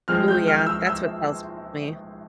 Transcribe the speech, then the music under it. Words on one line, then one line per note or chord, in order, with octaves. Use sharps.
Ooh yeah, that's what tells me.
F3 G#3 C4 F6
G6
F6
E6
E6